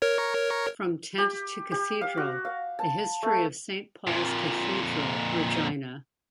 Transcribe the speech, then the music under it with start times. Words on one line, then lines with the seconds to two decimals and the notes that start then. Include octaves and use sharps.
"From Tent to Cathedral: A History of Saint Paul's Cathedral, Regina".
0.02 A#4 C#5
1.18 G4
1.71 G4
2.01 F5
2.17 F#4
2.45 F5
2.79 A5
3.23 A3
4.07 F2 A#2